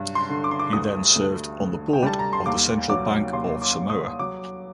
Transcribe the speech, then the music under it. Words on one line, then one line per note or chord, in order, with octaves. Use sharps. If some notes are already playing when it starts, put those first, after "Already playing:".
He then served on the board of the Central Bank of Samoa.
Already playing: G2 F#3
C6
D3
D6
C6
D6
D2 D#6
D2
D2
G5
G3 A5
A#5
C6
D#2 D6
F#3 D6
D#2 C6
D6
D#2
D#6
F#3 D6